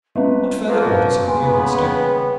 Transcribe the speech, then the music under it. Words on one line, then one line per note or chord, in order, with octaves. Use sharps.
What further orders have you, Master?'
G3 G#3 C#4 B4
F3 F#3 A#3
C#3 A#3 B3 B4 G#5 C6
G5